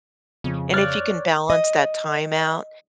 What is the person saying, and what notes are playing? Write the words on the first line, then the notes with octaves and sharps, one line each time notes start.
And if you can balance that time out
F2 C#3
C#5 D5 F6 F#6 A6
D#5